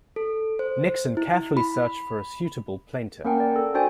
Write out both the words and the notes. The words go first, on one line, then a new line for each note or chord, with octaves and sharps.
Nixon carefully searched for a suitable plaintiff.
A4
C5
E4
B5
A#3 C#4 A#4 F#5 G5 A5
D5
A4
D4 F#4 C5 D5 G5 G#5